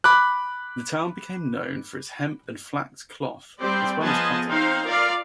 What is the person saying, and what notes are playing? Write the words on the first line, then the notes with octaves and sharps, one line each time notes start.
The town became known for its hemp and flax cloth, as well as cotton.
B5 D6 F#6
G3 C4 G4 C5 D5
F3 B3 G#4 D#5 G#5 A5
C4 D#4 C5 F5
F4 A#4 D5 F5